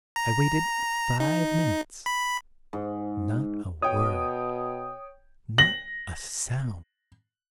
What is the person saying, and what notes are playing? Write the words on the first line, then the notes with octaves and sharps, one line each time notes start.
I waited five minutes--not a word, not a sound.
A#5
D#4
B5
G#2
B2 C#5 G5 D#6
A#6 F#7